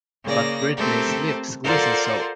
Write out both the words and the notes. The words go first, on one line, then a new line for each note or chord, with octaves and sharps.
But Britney's lips glisten so...
C#3 A#3 D5 A#6
A3 C4 G4 A4 A#4
F4 A4 A#4 C5 D5 F#5